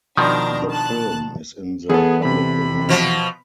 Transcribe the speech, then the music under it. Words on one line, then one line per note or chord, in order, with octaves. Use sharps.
The film is in the public domain.
B2 D#3 F3 D4 A#5
A5 F#6
E2 B3 G#4 A4
C3 B5
B2 F3